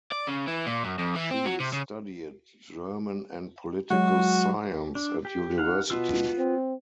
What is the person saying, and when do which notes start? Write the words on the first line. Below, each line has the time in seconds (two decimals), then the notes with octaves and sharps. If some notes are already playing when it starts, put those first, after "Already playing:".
She studied German and Political Science at university.
0.12 D5
0.27 C#3
0.47 E3
0.66 A#2
0.84 F#2
0.99 F2
1.16 E3
1.31 C4
1.46 F#3
1.60 C3
1.73 C#3
3.91 F#3 G#3 F#4
4.95 D4
5.25 G4
5.58 D#4 F5 F#5
5.90 B2 B3 F4 E6
6.38 C4